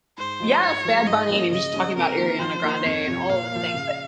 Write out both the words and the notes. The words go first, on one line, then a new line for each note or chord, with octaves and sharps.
Yes! Bad Bunny, and he was just talking about Ariana Grande, and all of the things, but
G#2 C5
F3 G#3 D#4
G#2 C#5
F3 G#3
G#2 D#5
F3 A#3 C#4
C#3 D#5
G3 C#4
C3 A#4
D#3 A#3
F3 C5
A#3 D#4 A#4
F2 C#5
C3 F3
A#2 F5
F3 A#3
C#3